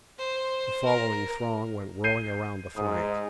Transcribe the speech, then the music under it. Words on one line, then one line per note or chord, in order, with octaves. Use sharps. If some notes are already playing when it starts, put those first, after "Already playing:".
The following throng went whirling around the flank.
C5
A#4
G6 C7 D#7
G#2 D#6